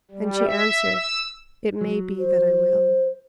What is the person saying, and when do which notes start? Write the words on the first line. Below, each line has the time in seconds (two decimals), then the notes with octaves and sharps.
And she answered, "It may be that I will."
0.11 G3
0.44 E5
0.95 E6
1.81 F#3
2.19 C5